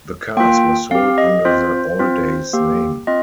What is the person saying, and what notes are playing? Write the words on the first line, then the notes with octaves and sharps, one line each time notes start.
The cars were sold under the Alldays name.
A#3 F4 G5
C4 G4 F5
D#5
C4 F4 C5
C4 F4
A#3 G4
C4 F4 D#5